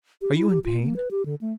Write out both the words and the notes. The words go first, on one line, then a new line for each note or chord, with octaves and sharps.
"Are you in pain?"
G4
E4
G4
F4
A#3
B4
G4
D3
A3